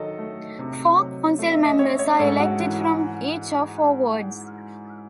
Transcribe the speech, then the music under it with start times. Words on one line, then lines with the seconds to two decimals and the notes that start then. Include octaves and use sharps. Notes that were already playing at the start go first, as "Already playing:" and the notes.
Four council members are elected from each of four wards.
Already playing: D#3 F#3 A4 D#5
0.18 A3
0.59 C3
0.99 F#3
1.39 A3
1.52 E5
1.65 D#5
1.79 C#4 C#5
1.99 C#5
2.19 G#2 A4
2.40 F#4
2.60 E3